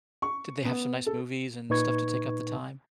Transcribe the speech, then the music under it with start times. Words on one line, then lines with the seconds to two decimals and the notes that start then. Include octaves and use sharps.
Did they have some nice movies and stuff to take up the time?
0.22 C#6
0.65 B3
1.06 A4
1.70 A#2 D#4 B4 C#6 G#6